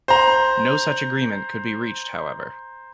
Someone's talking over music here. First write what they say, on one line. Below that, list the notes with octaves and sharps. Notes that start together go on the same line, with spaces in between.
No such agreement could be reached however.
C5 A#5